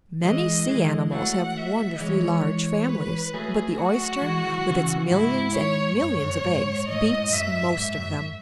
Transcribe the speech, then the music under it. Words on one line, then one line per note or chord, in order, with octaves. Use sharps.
Many sea-animals have wonderfully large families, but the Oyster, with its millions and millions of eggs, beats most of them.
E3 G#3 D#5
E3 G#3
F#3 A3 F#5
E5
E3 G#3 C#5
C#5
B4
F#3 A3 G#4
F#4
E3 G#3
E3
F#3
C#3 E3
G#2 E4
C#5
F#2 C#5
F#2
G#2
A2 D#5
G#2
F#2 E5
G#2 E5
F#2